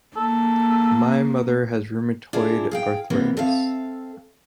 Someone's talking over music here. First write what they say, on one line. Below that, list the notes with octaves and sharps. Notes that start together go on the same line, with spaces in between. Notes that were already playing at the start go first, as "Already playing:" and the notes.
My mother has rheumatoid arthritis.
A#3 A4
D4 E4 F4 G#4
G#4 F5 G5
C3 E3 A#3 B3
C4 A4 E5 F5